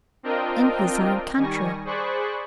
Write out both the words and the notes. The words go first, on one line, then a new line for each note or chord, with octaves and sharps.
"In his own country."
C4 D4 F4 A#4 D#5 G5
D#3 G3 G#5 C#6 A#6
G#4 C5 D5 B5 C#6 F#6